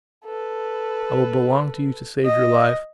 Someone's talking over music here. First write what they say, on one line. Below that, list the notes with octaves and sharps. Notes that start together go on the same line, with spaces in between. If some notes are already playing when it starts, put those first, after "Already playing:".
I will belong to you to save your life.
A4 B4
D#5